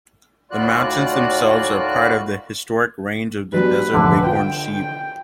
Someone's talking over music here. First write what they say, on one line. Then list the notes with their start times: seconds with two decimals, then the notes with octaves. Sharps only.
The mountains themselves are part of the historic range of the Desert Bighorn Sheep.
0.51 D#2 A2 F4 F#4 D5 F#6
3.54 F#3 G3 B3 D4 B4
3.94 F1 A#1 D3
4.26 F4 G5